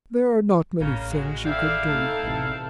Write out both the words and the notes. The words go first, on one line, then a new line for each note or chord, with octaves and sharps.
"There are not many things you could do."
A1 C#3 A#3 C#4
G#3 F#4
C4 E4 A4 D5 E5 F5
A3 D#4 A4
A1 E2 C3 A4